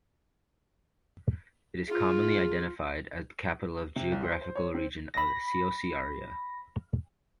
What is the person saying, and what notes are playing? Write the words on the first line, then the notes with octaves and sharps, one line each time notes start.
It is commonly identified as the capital of the geographical region of Ciociaria.
F4 G#4
C3
C2
C5
C5
C#5
C4
B5 A#6